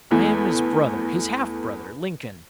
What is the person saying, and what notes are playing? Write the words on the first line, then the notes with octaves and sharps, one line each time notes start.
I am his brother--his half-brother, Lincoln.
E2 E3 A3